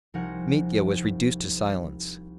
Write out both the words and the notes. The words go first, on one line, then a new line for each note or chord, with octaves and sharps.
Mitya was reduced to silence.
C2 F3 D#4 A#4 F#5 G#5